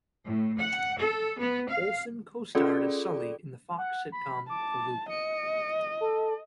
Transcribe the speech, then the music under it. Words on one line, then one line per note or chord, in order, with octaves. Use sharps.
Olsen co-starred as Sully in the Fox sitcom "The Loop".
A2
F#5
A4
B3
F5
C#4 F4 G#4 A4 D5
F#5
B5
A5 D6
D#5 C#7
A4